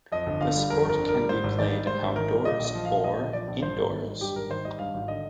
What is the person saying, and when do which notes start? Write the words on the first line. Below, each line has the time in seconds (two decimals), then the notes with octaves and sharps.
The sport can be played outdoors or indoors.
0.12 F2 D#5
0.26 G1
0.41 D3 F5
0.56 G3
0.70 F2 A#4
0.85 G1 A#4
1.00 D3
1.09 A#4
1.14 G3
1.29 G#2 C5
1.44 G#1
1.58 D#3 D5
1.72 G3
1.87 G#2 C5
2.02 G#1
2.16 D#3 A#4
2.31 G3
2.45 A#2 D#5
2.60 A#1
2.65 D#5
2.75 F3
2.85 A#1 F5
3.04 A#2 D#5
3.18 A#1
3.33 F3 D5
3.48 A#1
3.63 G2 C5
3.77 G#1
3.91 D#3
4.06 G3
4.21 G2 G4
4.35 G#1 A#4
4.50 D#3 C5
4.65 G3 D#5
4.79 G2 F5
4.94 G#1
5.08 D3 D#5